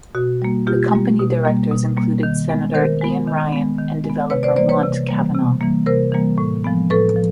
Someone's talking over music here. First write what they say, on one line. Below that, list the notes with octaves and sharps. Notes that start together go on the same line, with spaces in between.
The company directors included Senator Eoin Ryan and developer Mont Kavanagh.
B2 F#4
G3 A#3
B2 F4 G4
G3 A#3
B2
G3 A#3
B2
G3 A#3
D#3
G#3 B3
D#3 A#4 C5
G#3 B3
D#3
G#3 B3
D#3
G#3 B3
C3 B4 C#5
C5 D5
E3 G3 A#3 C5 D5
B4 C#5
C3
E3 G3 A#3
C3
E3 G3 A#3
C3 A#4 C5
E3 G3 A#3
A2
F3 G#3 B3
A2 A4 B4
F3